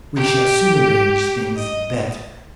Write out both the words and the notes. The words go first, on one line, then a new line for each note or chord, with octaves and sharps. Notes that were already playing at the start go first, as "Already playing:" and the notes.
We shall soon arrange things better.
G4
D#5